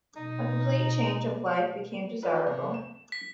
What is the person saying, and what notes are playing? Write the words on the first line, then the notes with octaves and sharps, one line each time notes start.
A complete change of life became desirable.
B2 D#4
B3 F4 B4
C3
E7
B6